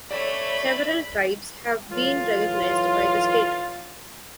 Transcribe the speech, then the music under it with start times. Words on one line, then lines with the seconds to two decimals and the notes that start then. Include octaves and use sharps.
Several tribes have been recognized by the state.
0.11 A3 C#5 D5 B5
1.90 A2 E3 F#3 F4